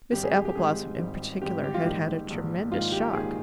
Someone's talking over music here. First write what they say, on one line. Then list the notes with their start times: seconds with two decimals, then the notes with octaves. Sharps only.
Miss Appleblossom in particular had had a tremendous shock.
0.12 G#1 G#2 G3 G4
0.23 G#4
0.33 G4
0.45 G4
0.55 G#1 G#2 G3 G#4
0.98 G#1 G#2 G3
1.42 G#1 G#2 G3 G4
1.64 G4
1.74 F4
1.84 A#1 G#2 D#3 G4
2.29 A#1 G#2 D#3
2.70 A#1 G#2 D#3 F4
2.92 G4
3.14 A#1 G#2 D#3 G#4